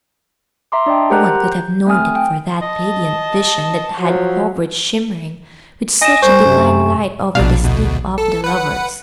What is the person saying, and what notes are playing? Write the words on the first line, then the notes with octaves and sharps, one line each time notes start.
No one could have known it for that radiant vision that had hovered shimmering with such a divine light over the sleep of the lovers.
E5 A#5 C6 D6
D4 D5 D#5 G5
G4 A#4 C5 F#5 A#5 F#6
G6
A3 C4 G#5 D#6 F6
G5
D#5 A5
F3 F#3
D#5 G#5 E7
G3 C5 C#6
F#2 C3
A#1 B2 D4 F5
D2 B2
A4
B4 F#5